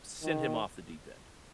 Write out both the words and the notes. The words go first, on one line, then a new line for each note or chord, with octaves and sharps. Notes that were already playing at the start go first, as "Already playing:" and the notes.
sent him off the deep end.
D#3